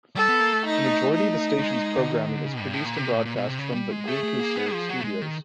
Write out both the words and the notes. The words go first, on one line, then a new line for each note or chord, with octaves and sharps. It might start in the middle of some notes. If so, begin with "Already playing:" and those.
The majority of the station's programming is produced and broadcast from the Gloucester studios.
G3 A4
B3
A#3
A3
D#4
D#4
A3
G#3
A3
G#3
D3
D#3
D3
C#3
G2
A2
A#2
C3
A2
A#2
B2
C3
C#3
G3
G#3
A3 G#4
A3
A#3
B3
F3
F#3
A3
G#3
D#3